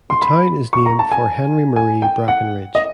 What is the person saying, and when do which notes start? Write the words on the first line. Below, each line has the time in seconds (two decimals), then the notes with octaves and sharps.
The town is named for Henry Marie Brackenridge.
0.10 C6
0.22 B5
0.73 C#6
0.86 A#5
0.99 A5
1.12 G#5
1.76 G#5
2.02 G5
2.28 F#5
2.75 D#5